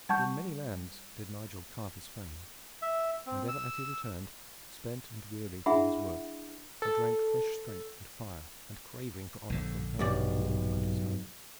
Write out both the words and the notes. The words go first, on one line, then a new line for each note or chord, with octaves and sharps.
In many lands did Nigel carve his fame, and ever as he returned spent and weary from his work he drank fresh strength and fire and craving for honor from her who glorified his home.
G3 F#5 A5 C#6 G6
E5
C4
E6
D4 E4 G#4 E5 F#5 B5
A4
A#1 D3
B1 G2 D5